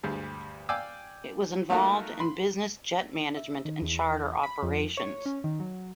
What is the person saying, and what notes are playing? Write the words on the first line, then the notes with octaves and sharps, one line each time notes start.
It was involved in business jet management and charter operations.
D2 G2 G3 G#3
D5 F5 G5 G#5 D6 E6
A3 A#3 D#4 F4 F#4 A#4
B5 C6
E5
D#3
E2
B5
F2
C#5
C#4
D#3
F#3